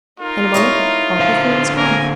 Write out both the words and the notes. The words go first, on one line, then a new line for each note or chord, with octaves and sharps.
In a moment all her fear was gone.
D#4 F4 A#4
E4 C#5 D#5
D3 C5 F5
A#3 A#4 G#5